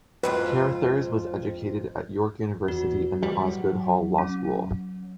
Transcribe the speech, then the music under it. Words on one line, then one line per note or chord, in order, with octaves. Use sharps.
Carrothers was educated at York University and the Osgoode Hall Law School.
F2 G#2 F4 B4
E2 F#4
E3 G3
F#3
C#4